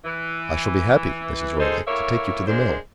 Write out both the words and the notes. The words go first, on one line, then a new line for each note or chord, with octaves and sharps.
"I shall be happy, Mrs. Roylake, to take you to the mill."
E3
G#3 D#4 A4 C5
A2 A#3 C#5 E5
G#3 A#3 D4 C5